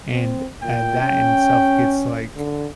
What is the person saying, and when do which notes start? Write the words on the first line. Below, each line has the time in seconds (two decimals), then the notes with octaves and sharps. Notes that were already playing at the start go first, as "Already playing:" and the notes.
And, uh, that in itself gets, like,
0.12 C4
0.63 A#2 G5
1.02 C#4
2.36 D3